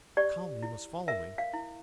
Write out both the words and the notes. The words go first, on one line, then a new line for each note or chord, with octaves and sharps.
"Come, you must follow me!"
G4 D5
E4
A#4 E5
F5
E4